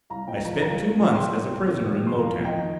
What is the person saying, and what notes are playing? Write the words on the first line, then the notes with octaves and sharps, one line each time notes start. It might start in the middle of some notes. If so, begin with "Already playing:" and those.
I spent two months as a prisoner in Lo-Tan.
C2 F5 A#5
A#2 D#5 G5
F3 F5 A#5
C2 F5 A#5
C2
A#2
F3 G5 C6
C2
C2
F2
D#3
F1
C6
F1 F5 A#5
F2
D#5 G5
D#3